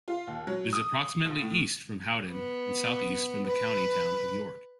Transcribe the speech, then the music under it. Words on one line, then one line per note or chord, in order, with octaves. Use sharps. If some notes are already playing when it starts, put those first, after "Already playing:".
It is approximately east from Howden and south-east from the county town of York.
F4
D#2
F#3
D#6
A#1
A2
B3
B4